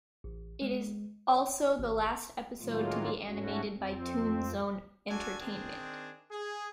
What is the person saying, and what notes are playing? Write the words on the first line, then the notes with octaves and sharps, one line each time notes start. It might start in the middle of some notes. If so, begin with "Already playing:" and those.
It is also the last episode to be animated by Toonzone Entertainment.
A1
G#3
C#5
G#1
A2 D#3 F#3 G#3 A#3 F4
G#2 A3 C#4 F#4
F2 C4
D4 F#4 A4 G#5
D#3 C4 D4 G#4
G#4